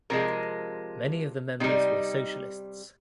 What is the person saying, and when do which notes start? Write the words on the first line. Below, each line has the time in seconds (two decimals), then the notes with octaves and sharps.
Many of the members were socialists.
0.10 C3 F3 G#3 A#4
1.60 C3 G3 D#4